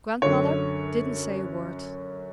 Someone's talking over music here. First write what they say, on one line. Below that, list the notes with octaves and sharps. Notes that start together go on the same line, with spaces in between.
Grandmother didn't say a word.
F#2 D3 C#5